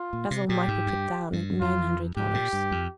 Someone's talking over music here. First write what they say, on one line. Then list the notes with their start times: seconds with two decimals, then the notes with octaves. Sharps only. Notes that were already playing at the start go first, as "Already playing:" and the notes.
Bazil might be put down at nine hundred dollars.
Already playing: F4
0.13 A#2
0.31 C3
0.49 A#2 G4
0.68 G#2
0.86 G2
1.33 G2
1.60 F2 F4
2.16 G#2 G4
2.34 A#2
2.53 G2
2.72 F2